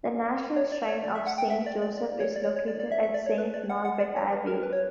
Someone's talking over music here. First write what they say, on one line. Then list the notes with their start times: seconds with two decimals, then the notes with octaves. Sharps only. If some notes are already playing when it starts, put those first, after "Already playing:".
The National Shrine of Saint Joseph is located at Saint Norbert Abbey.
0.56 C#5
0.72 D5
0.88 C#5
1.04 D5
1.15 E5
1.27 F#5
1.38 G5
1.50 E5
1.66 D5
1.82 D5
1.98 D5
2.20 C#5
2.36 D5
2.43 C#5
2.56 C#5
2.68 D5
2.80 D5
2.92 E5
3.03 E5
3.14 D5
3.26 C#5
3.38 B4
3.54 D5
3.70 F#5
3.85 F#5
4.00 D5
4.16 C#5
4.32 B4
4.47 A#4
4.63 B4
4.73 C#5